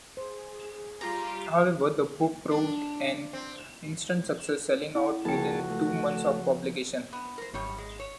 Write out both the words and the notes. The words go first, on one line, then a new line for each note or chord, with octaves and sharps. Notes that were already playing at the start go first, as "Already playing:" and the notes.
However, the book proved an instant success, selling out within two months of publication.
G#4 C5
G3 F4 G4 A#5
D4
C4
C#4 E4
C#2 F3 A#3 F4 F#4 G#4 G5 A5
A3
B3
A#4 C5
G#1 F#2 G3 C#5
G#3
C#5